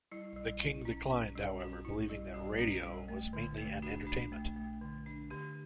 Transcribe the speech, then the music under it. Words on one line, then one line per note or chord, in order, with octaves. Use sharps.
The King declined, however, believing that radio was mainly an entertainment.
G3 E4
G3
E4
C#4
C#4
G3
C#4 F#4
E4
G3
G3 F#4
C#4
G3
A3
D3
A3
D4 F#4
D4
A3
A3
D3
D4
D3 G4